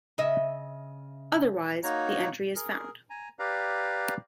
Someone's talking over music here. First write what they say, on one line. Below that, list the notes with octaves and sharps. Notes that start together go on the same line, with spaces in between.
Otherwise, the entry is found.
C#3 D#5 E5
A#3 D#4 F#4 C#5 A#5
G#4 A#4
G#5 A#5
G4 B4 D5 F5 A#5